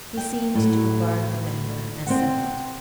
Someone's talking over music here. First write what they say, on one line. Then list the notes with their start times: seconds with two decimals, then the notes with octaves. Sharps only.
He seemed to regard the matter as settled.
0.17 G5
0.54 A2 F#3
2.06 C4 C5 F#5